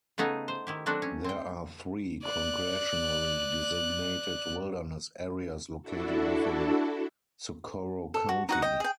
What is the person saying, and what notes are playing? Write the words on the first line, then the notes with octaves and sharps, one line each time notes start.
There are three congressionally designated Wilderness areas located within Socorro County.
C#3 A3 B3 D#4 G#4
C5
D#3 E4 G4
F#3 A3 C4 D4 F#4
C#4
C4 G5
D5 F#6
D4 E4 F#4 A4
A4
F#4
D#4 F#4 F#5
D#5 G5
G#4 G5